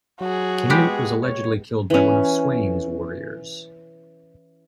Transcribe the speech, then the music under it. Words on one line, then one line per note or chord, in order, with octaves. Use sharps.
Canute was allegedly killed by one of Sweyn's warriors.
F#3 F#4 G#4
G#3 B3 G4
C#5
E3 C#4